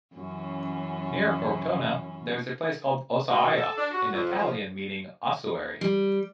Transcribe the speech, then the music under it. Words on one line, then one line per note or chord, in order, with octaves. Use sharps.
Near Cortona, there is a place called 'Ossaia', in Italian meaning ossuary.
F#2 E3 C#4
B2
A4
D4
F#4
F2
F3
G3